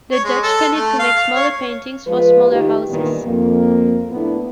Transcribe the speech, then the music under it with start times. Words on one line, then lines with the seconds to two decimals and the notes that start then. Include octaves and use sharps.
The Dutch tended to make smaller paintings for smaller houses.
0.11 C#5
0.25 G#3
0.43 A4
0.74 A3
0.99 F5
1.35 C#5
2.06 F3 G#3 F4 B4
2.50 D#3 G4
2.88 G2 A#2 D#3 E3 G3 B3
3.25 F2 A#3
4.11 A2 B3 D4 E4